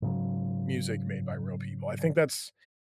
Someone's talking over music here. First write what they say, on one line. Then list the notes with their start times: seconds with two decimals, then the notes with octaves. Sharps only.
music made by real people. I think that's
0.02 G#2 C#3 F#3